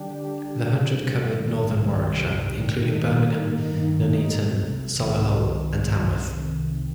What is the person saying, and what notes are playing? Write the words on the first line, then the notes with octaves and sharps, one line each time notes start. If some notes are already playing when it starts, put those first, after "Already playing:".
The hundred covered northern Warwickshire, including Birmingham, Nuneaton, Solihull and Tamworth.
Already playing: D3 G3 D4 G4
G3
G4
C3
G3
D#3
C2
C3
G3
D#3
D#4
A#3
G2
D#3
D#4
C3
C2
D#3